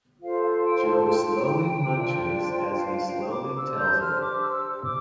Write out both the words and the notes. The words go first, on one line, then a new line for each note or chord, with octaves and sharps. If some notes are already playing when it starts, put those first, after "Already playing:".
Jo slowly munches as he slowly tells it.
F4 A4 C5 F5
F5
G5
A5
G5
D4 F4 C5
F5
G5
D6
D4 G4 C5 E6
G6
F6
D6
E6
D6